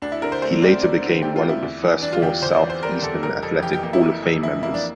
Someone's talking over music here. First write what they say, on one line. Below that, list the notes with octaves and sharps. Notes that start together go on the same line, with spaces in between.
He later became one of the first four Southeastern Athletic Hall of Fame members.
D2 D4
E4
D3 A#4
C5
A3 C5
C4 D5
D2 D5
D3
A3 G4
F4
C4
E4
E2
E3
G3 D4
F4
E2 G4
E2 C5
D5
E3
C5
G3 A#4
E2 A4
F1 A#4
F2 A4
E3 G4
G4
A#3 G4
E4
F1
F2
E3 E4
A#3 E4
D4